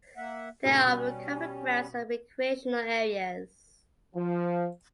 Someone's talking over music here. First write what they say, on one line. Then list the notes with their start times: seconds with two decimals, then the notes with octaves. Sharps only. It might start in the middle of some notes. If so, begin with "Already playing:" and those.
There are of common grounds and recreational areas.
0.17 A#3 E5 F#5
0.65 G2 A#2 C#3 A3
0.84 B2 G3 C#4
4.15 F3